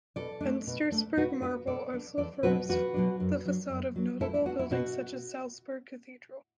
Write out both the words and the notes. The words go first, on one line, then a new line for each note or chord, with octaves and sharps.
Untersberg marble also forms the facade of notable buildings such as Salzburg Cathedral.
B2 A4 D5
A3 D4
B2
A3 D4
B2 F#4 B4
B3 D4 F#4 B4
B2 A4 D5
B3 D4
E2 A4 D5
B2 F#3 D4 F#4 B4
E2 F#4 B4
B2 F#3 D4
F#2
F#3 D4
F#2
F#3 D4
B2 E4 A4
E4
B3 D4 F#4
E4
B2 F#4